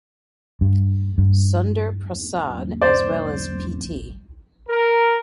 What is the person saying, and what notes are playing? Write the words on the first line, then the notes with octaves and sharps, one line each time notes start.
Sunder Prasad as well as Pt.
G2
G2
C5 D5
A#4